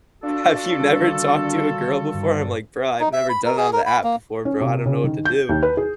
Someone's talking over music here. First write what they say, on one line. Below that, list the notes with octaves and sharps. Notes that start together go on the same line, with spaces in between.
have you never talked to a girl before?" I'm like, "Bro, I've never done it on the app before, bro. I don't know what to do."
D4 F4 F#4 A4
D3 D#3 G3
G2
D#4
E5
B5
A#4
G#4
A#4
B5
A#3
C#4
C3
C#3
D#3
G6
D#2
B4
G#4